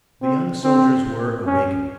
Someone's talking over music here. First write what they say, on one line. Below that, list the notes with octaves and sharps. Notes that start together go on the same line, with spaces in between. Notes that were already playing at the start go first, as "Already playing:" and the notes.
The young soldiers were awakened.
C4
C4
C#4